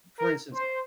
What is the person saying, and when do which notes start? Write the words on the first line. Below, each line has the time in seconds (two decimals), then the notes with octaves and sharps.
for instance,
0.18 A#4
0.54 C5